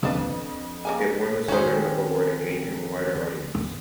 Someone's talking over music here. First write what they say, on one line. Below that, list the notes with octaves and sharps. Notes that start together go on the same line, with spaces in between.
It won the Southern Book Award and gained him a wider audience.
F2 F3 D4 B4
C#3 A#3 G#5
F2 D#3 B3 C#4 F#4 C5